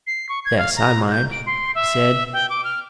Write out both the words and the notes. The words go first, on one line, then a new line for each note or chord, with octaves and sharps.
"Yes, I mind," he said.
C7
C#6
G#6
F5
A#5
G6
D7
C6
E5
G5
D6
F6